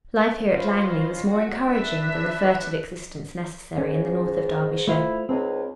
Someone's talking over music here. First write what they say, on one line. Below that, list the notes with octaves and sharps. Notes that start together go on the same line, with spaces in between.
Life here at Langley was more encouraging than the furtive existence necessary in the north of Derbyshire.
C#4 F4 B4 C5 D#5
F#4
D4 B4 E5 F#6
G#2 C#4
A3 E4 F4 C5
C#2 C4 D#4